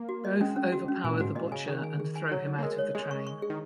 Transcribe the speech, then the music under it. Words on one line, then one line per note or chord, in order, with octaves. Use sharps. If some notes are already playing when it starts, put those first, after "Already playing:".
Both overpower the Butcher and throw him out of the train.
Already playing: A#3
F#4
D#5
G#3 C#4
C#4
F#4
C#4
A#2 G#5
G#2 F#4
A#2 D#5
C#3 G#5
D#3 G#4
G#5
G#4
G#5
F#3 C#5
D#4
A#3
G#3 A#4
C#5
G#3 G#4
C#6
C#6
G#4
D#3